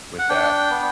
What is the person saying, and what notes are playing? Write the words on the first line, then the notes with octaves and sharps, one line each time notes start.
with that.
F#5
D4 G5
B3